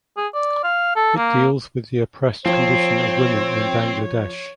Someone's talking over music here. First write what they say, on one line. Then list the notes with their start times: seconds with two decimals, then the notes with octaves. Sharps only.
It deals with the oppressed condition of women in Bangladesh.
0.17 G#4
0.34 D5
0.63 F5
0.96 A4
1.17 A#3
2.45 F3 C4 C5 C#5